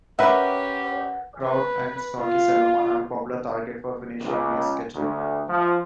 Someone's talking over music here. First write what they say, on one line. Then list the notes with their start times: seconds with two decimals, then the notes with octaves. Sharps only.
Trout and sockeye salmon are popular targets for fishing in Stehekin.
0.19 C#4 G4 A#4 B4 E5 F#5
1.44 B4
2.21 F4
4.26 C#2
4.95 D2
5.48 F3